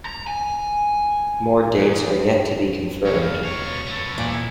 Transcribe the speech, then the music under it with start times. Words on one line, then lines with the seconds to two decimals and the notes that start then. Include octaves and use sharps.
More dates are yet to be confirmed.
0.05 A#5
0.27 G#5
1.77 E2
3.05 C#2 A#2 G3 G#3 C#5
3.21 F2 E3 A#3 F5
3.44 D#2 B2 F#3 C#5 F5
3.87 F#2 C3 B3 A4
4.18 D#2 A#2 E3 G#3 D5
4.32 E4